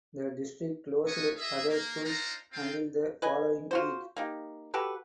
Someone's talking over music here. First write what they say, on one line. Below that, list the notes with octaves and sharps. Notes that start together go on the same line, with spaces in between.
The district closed other schools until the following week.
A3 A#4 B4 G#5 C#6 D#6
G#4 D#5 E5
A#3
D4 D#4 F4 C5 A#5
C4 F4 A#4 F5 G5
B4 D#5 G#5
F4 F#4 C5
A#3 D#4 G4
F#4 G4 A4 B4